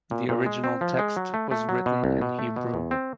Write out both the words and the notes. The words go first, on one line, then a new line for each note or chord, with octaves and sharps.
The original text was written in Hebrew.
A#2
A#2
G#3
C4
F3
G#3
F#3
A3
A3
F#3
B2
C2
B2
A3
B2
E2
C4